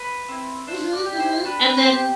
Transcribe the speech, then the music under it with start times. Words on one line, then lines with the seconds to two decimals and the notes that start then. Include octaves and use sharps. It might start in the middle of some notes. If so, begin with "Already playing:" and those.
Mhm, mhm, and then
Already playing: B4
0.28 C4 E4
0.67 D4 C5
0.93 D5
1.06 G4
1.19 C5
1.45 D4 B4
1.66 B4
1.84 G4 C5